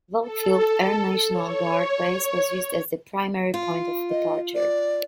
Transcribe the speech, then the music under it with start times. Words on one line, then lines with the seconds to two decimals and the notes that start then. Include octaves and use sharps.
Volk Field Air National Guard Base was used as the primary point of departure.
0.20 A4
1.30 C#5
3.54 F4
4.10 D#5
4.55 D5